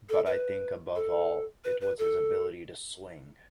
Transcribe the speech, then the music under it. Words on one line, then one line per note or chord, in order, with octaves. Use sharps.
But I think above all it was his ability to swing.
A4
B4
A4
B4
B4
A4